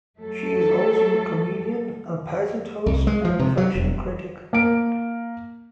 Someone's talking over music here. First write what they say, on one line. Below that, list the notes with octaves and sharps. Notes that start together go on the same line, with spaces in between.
She is also a comedian, a pageant host and a fashion critic.
F#3 A3 A4
C2
G#3
F3
C3
F#3
E1
A#3 D7